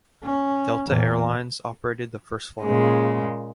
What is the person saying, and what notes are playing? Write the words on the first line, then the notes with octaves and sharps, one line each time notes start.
Delta Air Lines operated the first flight.
C#4
E2 A#2
A#2 C#3 G#3